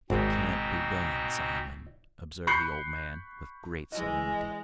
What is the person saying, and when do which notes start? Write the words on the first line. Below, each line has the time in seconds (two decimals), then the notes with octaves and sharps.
"It can't be done, Simon," observed the old man, with great solemnity.
0.10 G#1 G#2 B2 C4
2.47 B5 C#6 F#6 G6 C7 C#7
3.92 E3 G#3 D#5